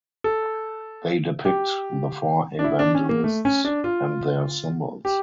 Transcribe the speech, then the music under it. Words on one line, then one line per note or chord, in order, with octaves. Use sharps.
They depict the Four Evangelists and their symbols.
A4
G4
D4
E4
D4
C#4
A#3
A3
C#4
D4
F4
G4